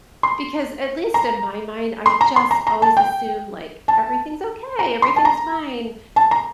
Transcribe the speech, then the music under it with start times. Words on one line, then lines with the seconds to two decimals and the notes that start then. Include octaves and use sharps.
because- at least in my mind- I just always assume, like, "Everything's okay, everything's fine,"
0.23 C6
1.14 A#5
2.06 C6
2.21 A#5
2.36 C6
2.51 A#5
2.67 A#5
2.82 A5
2.97 G5
3.88 A5
4.79 A#5
5.02 C6
5.16 A5
5.25 A#5
6.16 A5
6.31 A#5